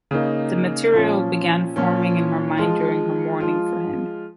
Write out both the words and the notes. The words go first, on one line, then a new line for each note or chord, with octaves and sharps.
The material began forming in her mind during her mourning for him.
C#3 A#3 D#4
A#2 F3 C#4
A#2 F3 C#4
F3 G#3 F4
F3 G#3 F4